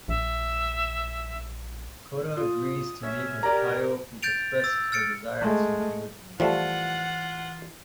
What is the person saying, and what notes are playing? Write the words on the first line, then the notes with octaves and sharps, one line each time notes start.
Kota agrees to meet with Kayo who expresses her desire to be with him.
A#1 E5
F4 D#6
C#4 C#5 E5
G4 A#4 D5 A#5
G6 A6 D7 F7
E6 A6
F6 A6 C#7 D7
G#3 A3
E3 F3 G3 A3 F4 F#5